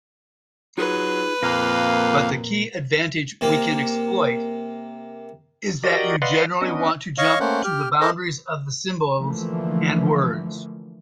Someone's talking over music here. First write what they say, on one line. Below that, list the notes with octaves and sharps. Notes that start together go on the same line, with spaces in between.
But the key advantage we can exploit is that you generally want to jump to the boundaries of symbols and words.
F#3 D#4 F4 G#4 B4
F2 A#2 A#3 A#4 F5
C3 A#3
F#4 G4 A#4 D5 D#5
B4 D5 D#5 F5 F#5 C6
B3 C#4 D4 D#5
C#5 D#5 F5 C#6
A3 A#3 C#4 C5 F#5
G4 F6
A4 A#4 C5 D#5
D3 E3 F3 A3 A#3